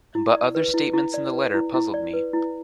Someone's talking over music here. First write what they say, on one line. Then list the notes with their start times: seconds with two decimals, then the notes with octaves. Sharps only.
But other statements in the letter puzzled me.
0.15 E4
0.35 D5
0.55 B4
0.74 E4
0.94 E4
1.14 D5
1.33 B4
1.54 E4
1.74 E4
1.94 D5
2.13 B4
2.33 E4